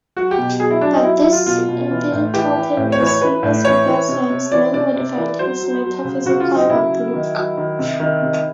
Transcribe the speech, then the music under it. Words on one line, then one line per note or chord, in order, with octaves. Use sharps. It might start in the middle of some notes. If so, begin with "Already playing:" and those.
But this empirical tendency as regards science never modified his metaphysical outlook.
F#3 F#4
G4
B2
F#3 G#4
E4
F#3 D4
D#4
F#3 E4
E4
F#3
F4
B2 F4
B2
E3
A2
E3 G4
E3
A2
C#5
E3
C#5
E3 B4
A2
E3 C#5
E3
C3
C3
E3 D5
C3 D5
C3
E3
F#3 C5
F#3
F#3
C#3
C#3 F#4
F4
F#3
D#4
C#3 E4
F#3
D#3
F#3
D#3
C3
D#3
C3